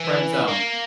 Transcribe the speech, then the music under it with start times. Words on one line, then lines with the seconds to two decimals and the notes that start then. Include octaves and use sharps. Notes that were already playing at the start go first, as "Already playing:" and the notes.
Friend zone.
Already playing: E3
0.48 A#3